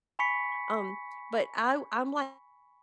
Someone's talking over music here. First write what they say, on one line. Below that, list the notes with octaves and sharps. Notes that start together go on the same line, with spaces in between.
Um, but I I'm like
G#5 B5 C#6 B6 C#7